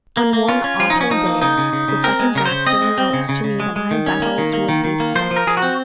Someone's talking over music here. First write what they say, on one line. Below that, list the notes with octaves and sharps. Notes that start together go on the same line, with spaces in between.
On one awful day the second master announced to me that my battels would be stopped.
A#3
A#3
C#4 F4
C#4
F3 F4
D#4
F3
C#4
F3 D#4
A#3
C#3 D#4
C#3
C#3
C#3
C4 A#4
G#3
C#3 A#4
C5
C#3
C4 D#5
G#3
C4
C#3
C#3
C#3
G#3
G#3
D#3
C#4
A#3
D#3
A#3
D#3
D#3
A#3
F3 C5
F3
A#4
F3 G#4
F#4
C4